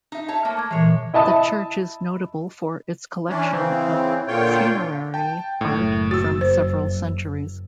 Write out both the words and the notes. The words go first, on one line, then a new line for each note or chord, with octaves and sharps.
The church is notable for its collection of funerary art from several centuries.
D#4 E5
C#5 E5 A5
A3 A#3
D6 G#6
A#2 E3 G#3 C#5
E4 D#5 E5 A5 D#6
E3 C#4 D4
C#3 E3 C4
A#2 D3 F4 C#5 G5
G5 A5
F#1 A2
F#4 E6 A6
C5